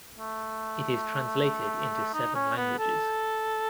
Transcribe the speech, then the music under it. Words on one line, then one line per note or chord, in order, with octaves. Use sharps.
It is translated into seven languages.
A3
D#4
C#4
B3
A4